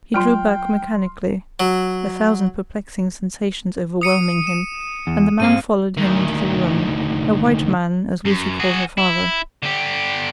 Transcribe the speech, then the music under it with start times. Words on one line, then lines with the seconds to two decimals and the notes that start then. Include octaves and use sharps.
He drew back mechanically, a thousand perplexing sensations overwhelming him, and the man followed him into the room--a white man, as Lucy called her father.
0.14 F#3 F4 G5 C6 F6
1.60 F#3
4.01 D#6 C#7 D#7
4.47 E7
5.07 E2
5.40 G#2 C4 F5 D#7
5.97 D2 D#3
8.25 F#2
8.59 F#4 G#4
8.98 E4
9.63 D3 G4